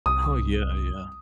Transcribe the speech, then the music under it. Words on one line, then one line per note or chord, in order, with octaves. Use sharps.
Oh yeah, yeah.
C2 D#6